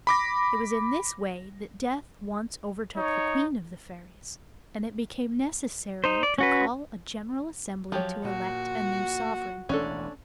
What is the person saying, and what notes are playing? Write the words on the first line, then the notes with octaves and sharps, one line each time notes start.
It was in this way that death once overtook the Queen of the Fairies, and it became necessary to call a general assembly to elect a new sovereign.
B5 D6 A#6
D#4 C#5
D#4 C5
D5
C#4 F#4 B4
F3 F#3 G4 C#5
A#2 F#4
E1 A1 D#2 C#4 D4 A4